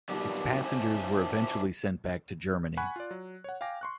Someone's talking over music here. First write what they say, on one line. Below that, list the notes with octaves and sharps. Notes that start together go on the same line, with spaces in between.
Its passengers were eventually sent back to Germany.
G2 B2 D#3 F#3 G3
C#4 D4 E4 A4 C5 C#5
F#5 G#5 B5 C#6 F#6
F4 D5
F#3
C#5 F#5
F5 G5 G#5 D6 A#6
C6 C#6 F#6